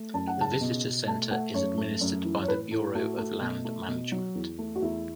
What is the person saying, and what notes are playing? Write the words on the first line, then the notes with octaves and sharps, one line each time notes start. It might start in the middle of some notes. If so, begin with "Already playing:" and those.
The visitor center is administered by the Bureau of Land Management.
Already playing: A3
F#2 A5
F#5
C#3 A5
B2
B2
A3 A5
A3 F#5
F#2 C#5
A3
F#2
E3
C#5
A2 B4
A2 A4
A3 F#4
A3
B2
A3
B2
F#3
E2
A3
F#4
E2 E4